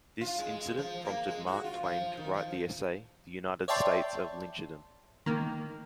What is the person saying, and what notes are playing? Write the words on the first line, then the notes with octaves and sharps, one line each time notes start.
This incident prompted Mark Twain to write the essay "The United States of Lyncherdom".
F4
G#3
F3
A#3
G#3
F#4
F4
F3
D#3
F3
C#5 D5 E5 G5 A5 C6
D#3 A#3